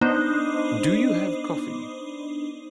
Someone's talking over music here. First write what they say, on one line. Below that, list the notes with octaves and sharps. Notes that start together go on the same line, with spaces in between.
Do you have coffee?
B3 D4 D#4 C5 D#5